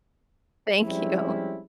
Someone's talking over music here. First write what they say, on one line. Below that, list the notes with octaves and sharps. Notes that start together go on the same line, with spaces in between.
Thank you.
F3 G3 G#3 C4 C#4 E4